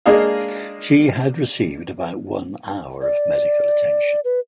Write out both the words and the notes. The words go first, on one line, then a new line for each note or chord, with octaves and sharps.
She had received about one hour of medical attention.
G#3 A#3 D4 G#4 D#5 F5
D5
B4